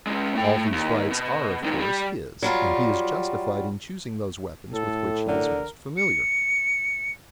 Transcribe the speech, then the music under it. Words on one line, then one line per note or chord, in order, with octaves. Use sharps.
All these rights are of course his; and he is justified in choosing those weapons with which he is most familiar.
C#3 G#3
A3 G5
D#2
B2
G2 D#3
G3
F#3 G3 F4
A2 A4
D3 A#4
C#7